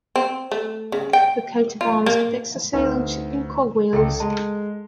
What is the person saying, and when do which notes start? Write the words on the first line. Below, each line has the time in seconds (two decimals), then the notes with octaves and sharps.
The coat of arms depicts a sailing ship and cogwheels.
0.16 C4
0.52 A3
0.92 C#3
1.13 G5
1.81 F4
2.06 A#3
2.73 D2 C4 D#4 B4
3.93 C#2 A4 G5
4.20 G#3 A5